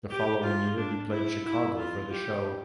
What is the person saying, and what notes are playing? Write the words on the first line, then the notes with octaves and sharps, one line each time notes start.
The following year he played "Chicago" for the show.
G4
F4
D4
E4
E4
F4
G4